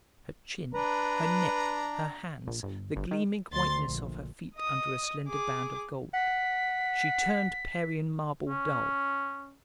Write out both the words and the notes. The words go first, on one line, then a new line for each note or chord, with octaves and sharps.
Her chin, her neck, her hands, the gleaming whiteness of her feet under a slender band of gold; she turned Parian marble dull!
D4 B4 A#5
A#1
G1
G1
D#3
D2 C6 A6
A#1
D#5 D#6
G#4 D6
F#5 B6
C#4